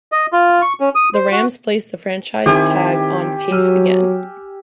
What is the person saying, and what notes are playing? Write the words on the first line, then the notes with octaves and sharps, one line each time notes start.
The Rams placed the franchise tag on Pace again.
D#5
F4
C#6
C#4
D#6
C5
F#4
D#3 C4 E4 G4 G#5
F#3 E6 F6 D#7